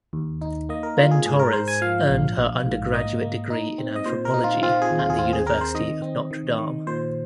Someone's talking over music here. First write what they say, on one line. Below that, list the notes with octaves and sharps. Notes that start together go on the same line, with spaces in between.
Benn Torres earned her undergraduate degree in anthropology at the University of Notre Dame.
D#2
D#4
A#3 D#5
A#4
A#3 F4
G#4
G#2 G#4
A#4
G#2 C5
G#5
F3 F5
A#1
A#1
G#2
A#3 D#5
A#3
D#4
C4
D#5
A#2 C5
A#4
D#4
F4
C4 F4
G#4
D#2
F4
G#4
C4 F4
G#4
C4 A#4
C5
D#3 D#5
C4
D#3
D#3
A#2 C5